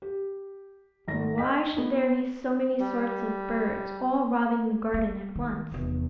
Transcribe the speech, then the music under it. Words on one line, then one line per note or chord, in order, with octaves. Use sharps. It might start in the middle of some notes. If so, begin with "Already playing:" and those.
And why should there be so many sorts of birds, all robbing the garden at once?
G4
G#1 A#6
D#5 G5 B6
B3
G3
A#3
D#3
F1 E2